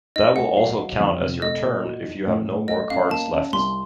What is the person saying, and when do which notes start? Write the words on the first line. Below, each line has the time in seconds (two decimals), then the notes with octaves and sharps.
That will also count as your turn if you have no more cards left.
0.16 D#4 D#5
0.36 A3 F#5
0.57 F#3 F5
0.79 F#3
1.00 F2
1.21 C3
1.42 A3 D#5
1.63 A#2
1.85 F#4
2.05 D#4
2.27 A2
2.48 A2
2.68 A3 D#5
2.90 C#4 F5
3.11 A#3 A5
3.32 C#4
3.53 C2 C6